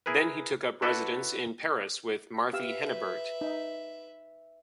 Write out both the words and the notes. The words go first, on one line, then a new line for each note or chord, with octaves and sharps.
Then he took up residence in Paris with Marthe Hennebert.
E4 G#4 A#4 B4
D4 E4 F#4 A4 B4
G4 B4 E5 F5 E6
D#4